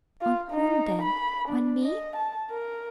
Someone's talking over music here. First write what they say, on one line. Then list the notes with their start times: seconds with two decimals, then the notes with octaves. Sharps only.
"On whom, then!--on me?"
0.21 F4
0.52 D#4
1.02 B5
1.48 D4
1.84 D#5
2.17 A5
2.51 A#4